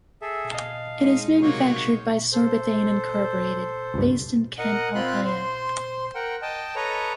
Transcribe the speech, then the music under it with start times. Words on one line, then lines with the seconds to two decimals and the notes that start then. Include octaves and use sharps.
It is manufactured by Sorbothane, Incorporated based in Kent, Ohio.
0.22 G#4 A4 E5
0.52 D#5 F5 A5
0.97 G#3 D#4
1.43 C3 F#3 A#3 C#6 G6
2.33 A4 C5
3.94 C#2 G2
4.58 A#4 D#5 F#5
4.95 C4 F4 B5 C6 F#6
5.25 C5 C6
6.15 A#4 F#5 G5
6.42 D#5 G5 A5
6.76 A4 B4 C#5 D#5 A#5